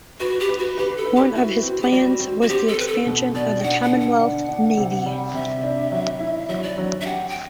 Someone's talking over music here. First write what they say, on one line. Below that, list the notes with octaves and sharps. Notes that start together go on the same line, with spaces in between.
One of his plans was the expansion of the Commonwealth Navy.
F#4 B4
G4
B4
F#4
G4 B4
A4
B4
G4
E4 F#4
C4
G4
G3 F#4
C4
F#4
C4 G4
A4
C4 B4
A4
B2
B2 D5
G5
D4 F#5
F#5
D3
F#5
D4
D4
C3
G3
C3 E5
D4
F#3
E4
F#3 E5
D5
F#3
E5
G4 F#5
G5